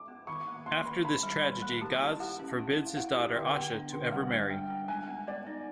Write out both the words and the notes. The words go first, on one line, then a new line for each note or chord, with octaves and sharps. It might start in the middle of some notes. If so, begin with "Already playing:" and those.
After this tragedy, Gaz forbids his daughter Asha to ever marry.
Already playing: D6
B3
D#3 C#6
A#3
A#3 C6
D#3
D#3 B5
G3
D#3
A#3
G4 A5
E4
G4 F#5
C#4
E4
E4
F5
E4 F#5
G4
D3 G5
B3
D4
D3
G3 F#5
D4
G3 G5
D4
G#3 G#5
B3
B3 D5
D#4